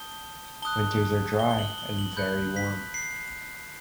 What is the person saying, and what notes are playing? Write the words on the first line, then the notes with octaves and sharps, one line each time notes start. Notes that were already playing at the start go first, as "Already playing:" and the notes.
Winters are dry and very warm.
Already playing: A5 D#6 G6 G7
A5 D#6 F#6 G7
G7
G7
F#7
G7
F#7
B5 F#6 G6
B6
C7